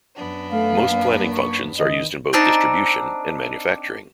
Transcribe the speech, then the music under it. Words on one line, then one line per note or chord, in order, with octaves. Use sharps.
Most planning functions are used in both Distribution and Manufacturing.
F#2 B3 D4
A3 F5
A#3
C#6
D#3 D#5
C4 D4 D#4 A5